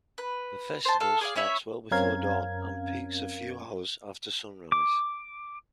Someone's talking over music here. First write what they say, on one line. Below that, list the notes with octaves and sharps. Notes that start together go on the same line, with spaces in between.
The festival starts well before dawn and peaks a few hours after sunrise.
B4
C5 A5
A4 F5
G#4 D5 F5
C#4 E4 C#5 E5
F#2 C4 C#4 A#4 F5 G#6
D6